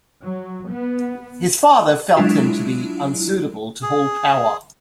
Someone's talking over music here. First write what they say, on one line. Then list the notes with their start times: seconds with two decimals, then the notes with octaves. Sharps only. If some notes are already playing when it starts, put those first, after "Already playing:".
His father felt him to be unsuitable to hold power.
0.23 F#3
0.70 B3
2.16 F#3 G#3 D4 E4 F4
3.82 G#4